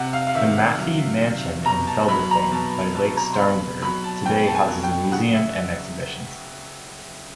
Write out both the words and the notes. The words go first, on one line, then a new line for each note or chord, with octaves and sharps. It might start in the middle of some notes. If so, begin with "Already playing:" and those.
The Maffei mansion in Feldafing, by Lake Starnberg, today houses a museum and exhibitions.
Already playing: C3 F#5
F5
F5
D#3 E5
F#5
F#3
C3
B2 A#5
A5
F#3 B5
A#5
B2 A5
F#3 A5
A#5
C6
B2 B5
F#3 B5
A5
B2 G5
A5
G#5
F#3
G5
C#3 F#5
E5